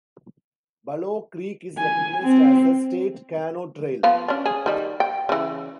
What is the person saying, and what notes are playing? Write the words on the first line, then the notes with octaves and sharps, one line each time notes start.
Bulow Creek is recognized as a State Canoe Trail.
G#5
C4
F3 B3 F5
C#4 D4
G#4
D#3 G3
G5
C#3 E3